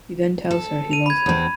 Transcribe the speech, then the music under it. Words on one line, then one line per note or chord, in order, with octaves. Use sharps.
He then tells her he loves her.
A4
D#7 F7
B5 G#6
E2 C4